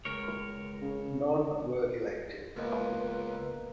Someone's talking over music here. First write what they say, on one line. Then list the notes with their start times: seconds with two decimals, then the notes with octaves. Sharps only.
None were elected.
0.05 C#2 A#4 C#5
0.81 C#3
2.56 C#2 A#3 B3 F4 B4 D#5